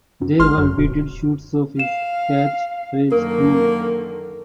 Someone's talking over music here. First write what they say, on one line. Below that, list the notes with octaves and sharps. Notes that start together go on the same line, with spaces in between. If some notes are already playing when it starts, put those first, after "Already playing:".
There were repeated shoots of his catch phrase Fuuuu!
F#2
G#1 G#3 C6 F6
F#2 F#3
D#1 B2
F5 E7
F#2 D3 D#3 A#3 A#4